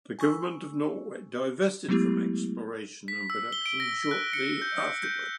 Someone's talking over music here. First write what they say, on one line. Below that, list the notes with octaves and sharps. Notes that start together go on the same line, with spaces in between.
The government of Norway divested from exploration and production shortly afterward.
G#5 C#6 E6
F#3 G#3 A3 B3 E4 G4
B6
E6
G7
D7
A#6
F#6
C#7
G6
G6